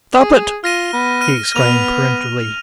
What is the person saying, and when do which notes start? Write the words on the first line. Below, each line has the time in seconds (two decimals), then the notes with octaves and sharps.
"Stop it!" he exclaimed peremptorily.
0.20 G#4
0.64 F4 F6 A#6 D#7
0.93 B3
1.21 F6 D#7
1.56 B3 F6 F7